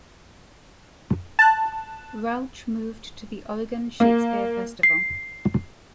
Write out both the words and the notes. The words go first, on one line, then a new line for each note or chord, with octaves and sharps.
Rauch moved to the Oregon Shakespeare Festival.
A5 F#6
A#3
C7